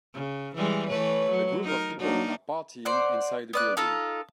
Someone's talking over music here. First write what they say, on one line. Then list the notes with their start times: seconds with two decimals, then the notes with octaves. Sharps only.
A group of people are partying inside a building.
0.14 C#3
0.55 E3 G3 G#3
0.89 E3 A3 B4 C#5
1.31 F#3
1.63 D#4 A#4
1.99 F#3 A#3 D4 D#4
2.85 C5 D5 F#5
3.53 B3 D5 F#6
3.77 D#4 F4 A4